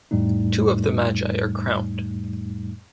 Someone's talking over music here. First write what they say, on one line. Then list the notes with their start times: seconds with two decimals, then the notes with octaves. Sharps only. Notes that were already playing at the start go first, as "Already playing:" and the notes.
Two of the magi are crowned.
0.11 F2 A2 G3 A3 D#4